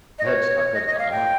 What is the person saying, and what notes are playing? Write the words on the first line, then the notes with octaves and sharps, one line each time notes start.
Headstock Headstock, uh-huh.
D#5
C#5
D#5
D#5
F5
G5